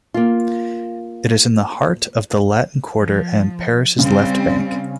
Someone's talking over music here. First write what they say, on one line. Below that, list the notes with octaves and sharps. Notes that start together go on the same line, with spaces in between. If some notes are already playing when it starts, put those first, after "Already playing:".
It is in the heart of the Latin Quarter and Paris' Left Bank.
A#3 F4
F3
C#3 G3 C4